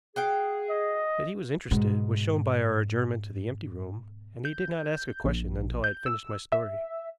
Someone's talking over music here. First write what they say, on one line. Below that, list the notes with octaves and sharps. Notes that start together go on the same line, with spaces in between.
That he was interested was shown by our adjournment to the empty room, and he did not ask a question until I had finished my story.
F#4 G#4 F5 G5
D#5
G#2 B2
G6
A#1
G6
E6
E5